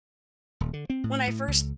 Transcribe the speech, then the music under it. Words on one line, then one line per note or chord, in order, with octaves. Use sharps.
when I first
D#1
D3
C4
A2
A2
C#2